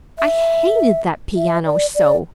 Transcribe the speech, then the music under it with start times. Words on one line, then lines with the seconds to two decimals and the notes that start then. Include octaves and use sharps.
I hated that piano so!
0.18 E5
1.37 E5
1.65 D5
1.95 D5